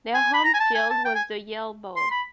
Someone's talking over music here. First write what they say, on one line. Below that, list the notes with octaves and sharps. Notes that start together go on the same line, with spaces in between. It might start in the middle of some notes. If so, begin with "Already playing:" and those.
Their home field was the Yale Bowl.
G#5
B5
A#5
G#5
A5
G#5
A5
G5
G#5
C6
B5